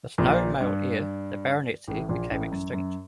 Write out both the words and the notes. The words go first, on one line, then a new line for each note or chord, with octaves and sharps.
With no male heir the baronetcy became extinct.
A#1 A#2
G2
A1 A2
A#1 A#2
A1 A2
F#2
F#2